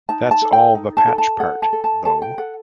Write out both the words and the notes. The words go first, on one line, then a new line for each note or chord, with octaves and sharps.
That's all the Patch part, though.
D#4 A5
A5
A4
G5
D#4
A5
A4
A5
A4 F#5
A5
A4
A5
A4 A5
G5
A4 F#5